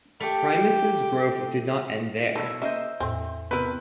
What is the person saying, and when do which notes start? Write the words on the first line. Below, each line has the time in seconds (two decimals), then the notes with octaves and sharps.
Primus' growth did not end there.
0.20 A3 G4
2.35 B2 D#4 E4 A4 C#5
2.62 C#3 A#3 C5 D#5 E5
3.00 E2 A2 C4
3.51 C3 B3 E4 A#4 B4